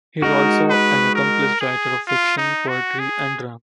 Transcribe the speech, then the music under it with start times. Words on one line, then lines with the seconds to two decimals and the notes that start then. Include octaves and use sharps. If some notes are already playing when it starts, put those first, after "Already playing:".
He is also an accomplished writer of fiction, poetry, and drama.
0.22 G#3 D#4 F#4 A#4
0.69 B4
1.15 A#4
1.61 G#4
2.07 F4
2.37 D#4
2.68 F#4
2.99 G#4